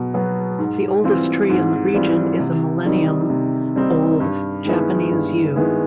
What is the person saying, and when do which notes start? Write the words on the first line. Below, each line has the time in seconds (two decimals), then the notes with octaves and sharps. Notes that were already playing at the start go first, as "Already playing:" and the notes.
The oldest tree in the region is a millennium-old Japanese yew.
Already playing: B2 F#3 B3
0.14 F#3 B3
0.59 G#2
1.04 E3 G3 C4 F4
1.49 G#2
1.95 E3 G3 C4 F4
2.40 C3
2.85 D#3 G3 C4 D#4
3.30 C3
3.75 D#3 G3 C4 D#4
4.20 G2
4.65 D#3 G#3 B3 E4
5.10 G2
5.56 D#3 G#3 B3 E4